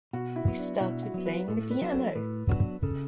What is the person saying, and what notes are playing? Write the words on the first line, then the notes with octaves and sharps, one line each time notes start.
I started playing the piano.
B2 F#4
E4
F#3 B3
D4
D4
B2 E4
F#4
F#3 B3
B4
A2 A4
B4
F#3 B3 D4 F#4
A4
A2 B4
F#3 B3 D4 F#4
C#3 A4